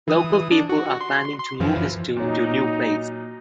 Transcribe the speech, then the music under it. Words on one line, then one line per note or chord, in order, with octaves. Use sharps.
Local people are planning to move his tomb to new place.
E3 D#6
D4
F#4
C6
C6
F#2 E3 F3
A#2 F#3 D#4